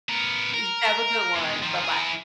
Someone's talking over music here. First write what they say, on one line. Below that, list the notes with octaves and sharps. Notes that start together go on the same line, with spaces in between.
Y have a good one, buh-bye.
B3 A#4
A#4
E2 G#3
D#3 F3
E4 G#4